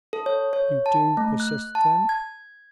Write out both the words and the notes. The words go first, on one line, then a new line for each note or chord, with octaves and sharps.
"You do persist, then?"
A4
C#5
C#5
A5
A3
F#6
A5
G#6